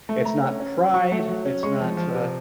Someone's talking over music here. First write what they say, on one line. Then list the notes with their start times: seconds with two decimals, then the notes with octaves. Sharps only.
it's not pride, it's not, uh
0.09 A3
0.25 A3 A#5
0.43 C#4
0.60 C#4
0.77 F#3
0.94 F#3 C#6
1.12 A3
1.29 F#3
1.45 C#4
1.63 G#3 C#6
1.80 F3
1.97 F3
2.14 C3